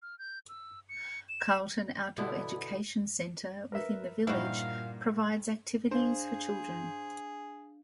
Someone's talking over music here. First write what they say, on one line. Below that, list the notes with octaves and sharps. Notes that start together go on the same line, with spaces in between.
Carlton Outdoor Education Centre within the village provides activities for children.
F6
G6
E6
C#7
E7
B2 D3 B3 E4
A#4 B4 E5
G2 A#2 D#4 E4 F#4 C5 F5
D4 G#4 C5 F5